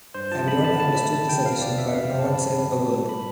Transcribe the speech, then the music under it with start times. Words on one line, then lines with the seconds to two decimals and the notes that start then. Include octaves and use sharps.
Everyone understood the suggestion but no one said a word.
0.14 G2 C5
0.31 F3 A5
0.47 C4 B5
0.64 D3 A5
0.80 A2 A5
0.96 A3 B5
1.13 D4 A5
1.29 F3 G5
1.45 E2 F5
1.61 B3 D5
1.78 D4 E5
1.94 B2 F5
2.11 G2 G5
2.19 A5
2.27 C4 B5
2.35 A5
2.44 G2
2.60 F3
2.76 A2
2.92 G3
3.09 A2 B5